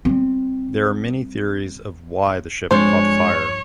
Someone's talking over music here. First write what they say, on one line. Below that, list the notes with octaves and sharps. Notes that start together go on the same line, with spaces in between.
Their are many theories of why the ship caught fire.
G3 C4
G2 F3 G#3 C4 D4 C5 C#5